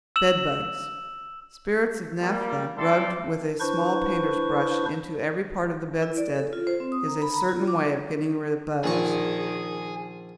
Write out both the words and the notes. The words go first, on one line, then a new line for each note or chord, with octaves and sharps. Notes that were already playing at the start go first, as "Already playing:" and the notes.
Bed Bugs.--Spirits of naphtha rubbed with a small painter's brush into every part of the bedstead is a certain way of getting rid of bugs.
E6 E7 F#7
G3 A#3
G3 C4 E4 A4 D5 C6
D4 E4 B4 C5 C#6
E4
D5
A4
F4
C5
C4
D#6
A#5
B5
A#5
F4
D6
A#1 A#2 D#3 G#4 C#6